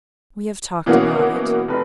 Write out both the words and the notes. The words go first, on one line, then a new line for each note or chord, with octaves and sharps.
We have talked about it.'
B2 E3 F#3 A#3 C#4 F#4
F1 B4